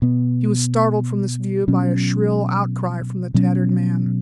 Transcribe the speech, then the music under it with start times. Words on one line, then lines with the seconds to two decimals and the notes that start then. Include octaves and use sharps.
He was startled from this view by a shrill outcry from the tattered man.
0.02 B2 B3
1.68 B2 F#3 C#4
3.34 B2 F#3 C#4